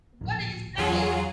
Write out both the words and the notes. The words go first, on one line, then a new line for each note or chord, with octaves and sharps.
what do you say?
D1 A#1
E2 E3 F#3 C#4 F4 G#4